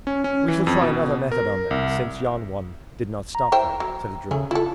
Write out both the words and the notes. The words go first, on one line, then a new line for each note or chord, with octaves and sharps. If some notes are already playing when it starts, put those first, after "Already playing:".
"We shall try another method on them, since yon one did not stop them," said the druid.
C#4
C#4
E3
F2
B2
A#4
C2
A#5
E4 C5 G5
F#3
C#3 A3 G#4
E4 F4 A4